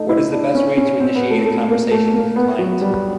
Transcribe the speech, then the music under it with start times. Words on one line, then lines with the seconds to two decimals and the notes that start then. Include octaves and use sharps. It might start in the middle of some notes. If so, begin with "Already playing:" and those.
What is the best way to initiate a conversation with a client?
Already playing: A3 D#4
0.09 E4
0.32 D4
0.55 C#4
0.77 C#4
1.00 C4
1.15 B3
1.30 A3
1.45 A3
1.68 A#3
1.91 A3
2.13 A#3
2.36 B3
2.59 F#3
2.81 G3